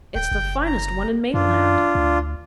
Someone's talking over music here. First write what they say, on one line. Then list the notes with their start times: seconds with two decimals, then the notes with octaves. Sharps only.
It's the finest one in Maitland.
0.15 D1 G5 G6
0.31 F#1
0.66 A#5
1.34 F#2 D4 F4
1.95 D2